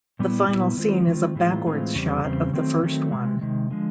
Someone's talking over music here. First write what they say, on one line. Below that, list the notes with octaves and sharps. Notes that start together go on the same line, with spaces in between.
The final scene is a backwards shot of the first one.
A#2 G3 B3 E4
A#2 G3 B3 E4
D#3 G#3 C4 F4
D#3 G#3 C4 F4
A2 E3 G#3 C4 F4
A2 E3 G#3 C4 F4
E2 C#3 G3 C4
E2 C#3 G3 C4
D#3 F#3 A3 C4
D#3 F#3 A3 C4
C3 D#3 G#3
C3 D#3 G#3
D3 F3 G#3